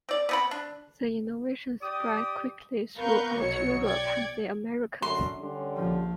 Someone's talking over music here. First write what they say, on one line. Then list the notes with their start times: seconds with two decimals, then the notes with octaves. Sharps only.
The innovation spread quickly throughout Europe and the Americas.
0.09 C4 D5
0.29 B3 C4 B5
0.51 D4
1.82 G4 D5 D6 D#6
2.98 B3 A#4 B4 F5 C#6 G6
3.38 B1 B2 F#3 C#5 C#7
3.83 D5 G5 G#6 C#7
5.02 F#2 D3 C6
5.39 D3 G3 C#4
5.76 A#1 F3